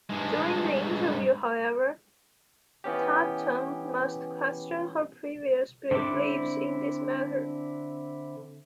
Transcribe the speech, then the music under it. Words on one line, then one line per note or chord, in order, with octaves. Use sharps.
During the interview, however, Tatum must question her previous beliefs in this matter.
G2 G#3
E3 B3 C#4 G4
D3 C4 D4 E4 D6